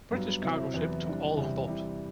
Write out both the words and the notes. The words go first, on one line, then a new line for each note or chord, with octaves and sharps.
The British cargo ship took all on board.
G2 F#3 B3
C3 F#3 C4 E4
E2 C3 F#3 B3
C3 E3 G3 D4
E2 C3 G3
C3 E3 G3